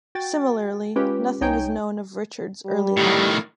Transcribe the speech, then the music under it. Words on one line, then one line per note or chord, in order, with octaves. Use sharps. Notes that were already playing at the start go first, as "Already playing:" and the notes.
Similarly nothing is known of Richard's early life.
F#4 G5 A6
G#3 C#4 F4 G4 B4
C2 D#4 C#5 G5 G#5 G6
G3
A2 D#3